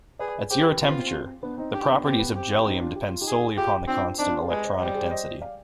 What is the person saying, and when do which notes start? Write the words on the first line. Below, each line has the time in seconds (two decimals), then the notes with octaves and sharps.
At zero temperature, the properties of jellium depend solely upon the constant electronic density.
0.19 G#4 B4 D5
0.51 G4 G#4 C5
0.66 G4 B4
0.81 C4 F4
0.91 B3
1.02 C4
1.43 B3 D4
1.57 C4 D#4
1.73 D4 G4
1.81 D#4
1.90 B3 D4
2.04 C4 G4
2.19 B3
2.35 C4 G4
2.66 C4 D#4
2.80 D4 F4
2.96 G4
3.09 F4
3.21 D#4 G4
3.27 G#4
3.57 F4 G4 G#4
3.87 C4 D4 F4
4.19 C4 D4 D#4
4.29 D4 F4
4.39 F4 G#4
4.49 G#3 G4 B4
4.64 C5 D#5
4.80 G3 C5 D#5
4.95 G#4 C5
5.11 C5 D#5
5.42 D5 F5